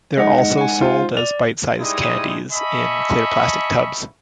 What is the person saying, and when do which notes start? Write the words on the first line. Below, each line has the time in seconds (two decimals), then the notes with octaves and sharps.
They are also sold as bite size candies in clear plastic tubs.
0.18 G#3 D#4 D#5 F#5
0.58 F#5 G#5
0.81 F4 C5
1.17 D5 F7
1.79 G3 G#3 D#4 E4 D#6
2.52 D#5 E5 G#5 A5 B5 C#6